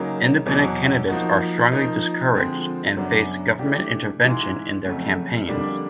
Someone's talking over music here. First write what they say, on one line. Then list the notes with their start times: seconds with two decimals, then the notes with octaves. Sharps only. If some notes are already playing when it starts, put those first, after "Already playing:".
Independent candidates are strongly discouraged and face government intervention in their campaigns.
Already playing: C#3 F#3 A#3 D#4
0.46 E2 B2 F#3
1.08 F3 A#3 D#4 F#4
1.72 F3 A#3 D#4
2.34 D3 F3 G#3 C4
2.97 F#2 C#3 F#3 B3 D4
3.59 E3 A3 D4 G4
4.23 G#2 E3 G#3
4.85 F2 C#3 F#3 A3
5.48 F2 D3 G3 A#3 D4